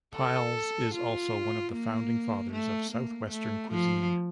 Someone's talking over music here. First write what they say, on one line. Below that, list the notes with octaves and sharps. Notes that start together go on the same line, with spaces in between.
Pyles is also one of the founding fathers of Southwestern cuisine.
A4
F4
A#3
A3
A#3
A3
F3